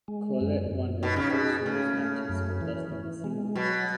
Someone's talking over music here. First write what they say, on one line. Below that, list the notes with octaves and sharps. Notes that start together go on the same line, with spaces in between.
Corlett won her foursomes matches but lost in the singles.
G#3
F#2
F#2
B2 D#4
C#3
B2 G#4
C#3 A3
A3
F#2
E3
E3
G#3
B2 F#3